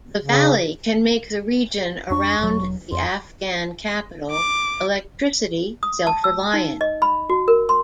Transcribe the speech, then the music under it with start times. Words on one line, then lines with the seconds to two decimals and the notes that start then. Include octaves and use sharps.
The valley can make the region around the Afghan capital electricity self-reliant.
0.23 C#3
2.10 F2 D4 C#6
2.39 E1 F#3
2.92 F2 C6
4.31 D6
5.83 D#6
6.07 A5
6.24 E6
6.54 D#4
6.81 D#5
7.02 B5
7.30 F#4
7.48 A#4
7.69 C6